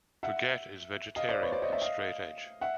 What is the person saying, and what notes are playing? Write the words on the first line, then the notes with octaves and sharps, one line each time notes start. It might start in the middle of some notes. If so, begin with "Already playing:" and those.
Puget is vegetarian and straight edge.
E5 F#5
D#5 F5
C5 D5
B4 C#5
C5 D5
C#5 D#5
D5 E5
D#5 F5
E5 F#5